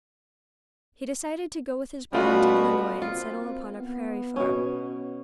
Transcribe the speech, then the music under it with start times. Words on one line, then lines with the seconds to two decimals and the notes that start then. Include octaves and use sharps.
He decided to go with his brother to Illinois and settle upon a prairie farm.
2.13 B2 G3 A3 B3 C#4 F4 F#4
3.02 A#3 C4 F4
3.77 B3
4.36 B2 C#4